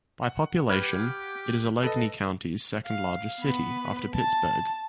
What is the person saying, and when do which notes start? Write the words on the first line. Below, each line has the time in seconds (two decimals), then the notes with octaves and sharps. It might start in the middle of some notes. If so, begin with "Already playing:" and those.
By population, it is Allegheny County's second-largest city, after Pittsburgh.
0.23 F#5
0.70 G4 B4 F6 F#6 G#6
1.83 A4 B4 D#5
2.86 F5
3.41 B3 B4
4.15 A5